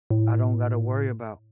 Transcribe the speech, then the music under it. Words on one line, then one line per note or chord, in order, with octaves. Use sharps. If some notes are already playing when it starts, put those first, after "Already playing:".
"I don't gotta worry about,"
A2